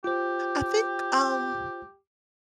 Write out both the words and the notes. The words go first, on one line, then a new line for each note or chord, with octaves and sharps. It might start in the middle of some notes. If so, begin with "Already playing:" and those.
I think um,
F4 G4 C5